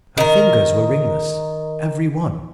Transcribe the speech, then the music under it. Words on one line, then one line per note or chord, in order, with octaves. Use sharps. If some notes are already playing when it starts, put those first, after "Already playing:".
Her fingers were ringless, every one.
D#3 A#4